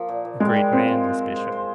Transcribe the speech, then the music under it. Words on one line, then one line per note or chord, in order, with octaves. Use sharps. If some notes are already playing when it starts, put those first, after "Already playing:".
A great man, Miss Bishop.
Already playing: F3 A#3
A#2
A#2
G3 G#3
F4
C4 F4
F4
F4
C5
C5
C5